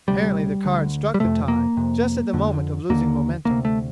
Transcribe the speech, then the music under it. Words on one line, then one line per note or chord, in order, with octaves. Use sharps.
Apparently the car had struck the tie just at the moment of losing momentum.
D2 C3 G3
D2 D3
G3
F2 C3 A3
A#3
F2 C3
F2 D3
D#2 D3 A#3
D2 C3 A#3
A3